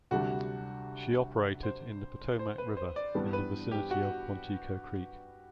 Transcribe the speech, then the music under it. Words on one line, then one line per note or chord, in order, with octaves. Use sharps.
She operated in the Potomac River in the vicinity of Quantico Creek.
D2 C3 G3 D4 F#4 G4
C5
C5
B4
C5
D5
G2 E3 G3 B3 D4
B4
G4
F#4